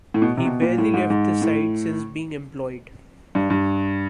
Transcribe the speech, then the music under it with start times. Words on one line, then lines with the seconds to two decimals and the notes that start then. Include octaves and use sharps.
He barely left the site since being employed.
0.14 A2
0.22 B2
0.37 C3
0.45 B2
0.62 A#2
0.78 A2
0.94 G#2
1.10 G#2
1.42 A2
3.35 G2
3.50 G2